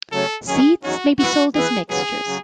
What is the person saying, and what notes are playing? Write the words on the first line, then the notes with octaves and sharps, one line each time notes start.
Seeds may be sold as mixtures.
C#3 F#3 A3 C#4 A4
E2 D#3 F#3 C#4 G#4
E2 D#3 F#3 C#4 F#4
E3 B3 E4 F#4 B4
E3 B3 E4 G#4 B4
D#2 C#3 F#3 B3 G#4
C#3 F#3